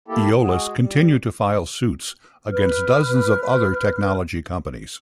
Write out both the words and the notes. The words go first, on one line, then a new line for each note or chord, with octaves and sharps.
Eolas continued to file suits against dozens of other technology companies.
A3 A#3 E4 G4 A4
G#3 F#4 G#4
G3
B4 F6